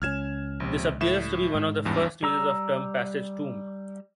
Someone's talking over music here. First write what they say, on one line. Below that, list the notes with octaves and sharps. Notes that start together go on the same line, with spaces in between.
This appears to be one of the first uses of the term passage tomb.
C#2 F3 C#4 F6 G#6 E7
A#1 C3
A2 E5 E7
G#2
A1 E2 G2
G3 A#5 E6